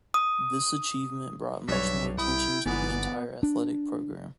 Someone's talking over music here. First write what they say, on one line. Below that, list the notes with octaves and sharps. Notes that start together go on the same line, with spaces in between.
This achievement brought much more attention to the entire athletic program.
D#6
B1 G2 C#5 E5
C2 E4 G5 D#6
G1 G#2 E3 B3 D5
D4